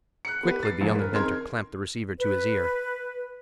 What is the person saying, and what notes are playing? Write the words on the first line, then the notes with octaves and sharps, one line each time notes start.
Quickly the young inventor clamped the receiver to his ear.
F#6 C#7
B3 G4 B4
A6 C7
D#1 A#1
A#4 B4
C#3 C4 D#4 A#4 C6 G#6
B4